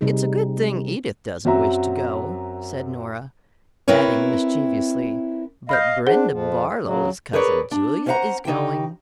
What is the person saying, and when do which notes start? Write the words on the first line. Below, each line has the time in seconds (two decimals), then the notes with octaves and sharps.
"It's a good thing Edith doesn't wish to go," said Nora; adding mischievously, "but Brenda Barlow's cousin Julia is going."
0.01 C3 G3 D#4 G#4
1.45 F#2 F#3 C4 F#4 E5 A#5
3.88 C4 E4 A#4 B4 C#5
5.69 D#5 F5 B5 F6 G6
6.07 D4 G#4 C5 F#5
6.30 F2 F3
6.84 C#3 F#3
7.33 G#4 A#4 B4 C#5 D5
7.71 D4
8.06 C#4 C5 D5 F5 F#5 A#5
8.45 C#3 D#4 G4 G5